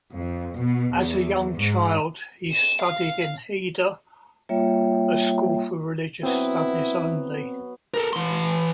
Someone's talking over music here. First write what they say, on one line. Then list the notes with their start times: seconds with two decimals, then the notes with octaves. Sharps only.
As a young child he studied in heder, a school for religious studies only.
0.14 F2
0.58 B2
0.94 E2
1.57 G#2
2.52 E7
2.82 F5
4.49 G3 A#3 F4 C#5 E5 G5
6.23 F#3 B3 C4 E4
7.94 A4 A#4
8.13 E3 C6